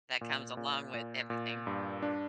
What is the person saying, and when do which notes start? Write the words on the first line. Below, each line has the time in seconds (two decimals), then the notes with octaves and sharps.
that comes along with everything,
0.21 A#2
0.57 A#2
0.94 A#2
1.30 A#2
1.67 G2
2.02 D4